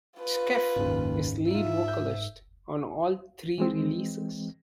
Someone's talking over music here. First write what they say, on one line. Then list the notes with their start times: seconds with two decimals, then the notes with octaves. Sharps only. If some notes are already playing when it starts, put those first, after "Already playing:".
Scheff is lead vocalist on all three releases.
0.20 F4 B4
0.76 F#1 D#2 G#2
1.51 D#4 F4 E5
1.88 G6
3.58 E3 G#3 C4